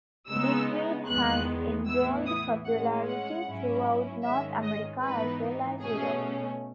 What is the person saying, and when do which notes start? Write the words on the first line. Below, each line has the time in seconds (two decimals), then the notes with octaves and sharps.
Digweed has enjoyed popularity throughout North America as well as Europe.
0.28 C#3 G#3 B3 D#4 E6
1.07 E2 D#3 G#3 B3 F#6
1.86 A2 E3 B3 E4 E6
2.26 D#6
2.65 A2 G#3 C#4 F#5
3.05 F#5
3.44 G#2 F#3 C#4 E4
4.23 G#2 D#3 G#3 C#4 E5
4.63 D#5
5.03 G#2 E3 B3 D#4 B4
5.81 B2 A3 C#4 G#4